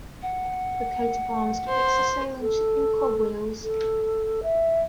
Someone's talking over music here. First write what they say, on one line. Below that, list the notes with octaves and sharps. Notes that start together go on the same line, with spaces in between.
The coat of arms depicts a sailing ship and cogwheels.
F#5
C5
A4
A4
E5